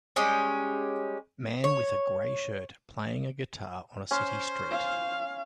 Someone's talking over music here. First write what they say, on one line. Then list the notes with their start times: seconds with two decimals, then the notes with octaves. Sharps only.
Man with a gray shirt playing a guitar on a city street.
0.16 G3 G#3 C#4
1.64 C#5
4.11 C#4 C5 C6
4.70 F5